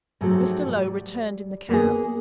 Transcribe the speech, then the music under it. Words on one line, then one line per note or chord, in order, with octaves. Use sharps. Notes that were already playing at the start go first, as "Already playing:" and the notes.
Mr. Lowe returned in the cab.
G#2 C3 F3 F#3 A3
G3
A#3 B3 G#4